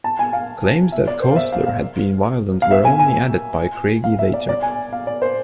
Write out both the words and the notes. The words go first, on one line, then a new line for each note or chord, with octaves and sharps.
Claims that Koestler had been violent were only added by Craigie later.
A5
G#5
F5
E5
D5
C5
F5
E5
F5
F5
F5
E5
G#5
G#5
F5
E5
D5
D5
G#5
F5
D5
C5